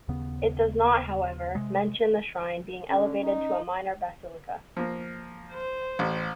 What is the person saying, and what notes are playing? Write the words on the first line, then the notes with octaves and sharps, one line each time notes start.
It does not however, mention the shrine being elevated to a minor basilica.
D#2 C#3 B3
C3 G#3
D3 C#4
D#4
F3 A#3
C5
A1